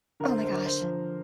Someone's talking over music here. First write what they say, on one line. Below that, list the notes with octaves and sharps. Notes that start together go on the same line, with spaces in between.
Oh my gosh.
D3 A#4
C5
A#4
C5
D3 A#4
C5
F3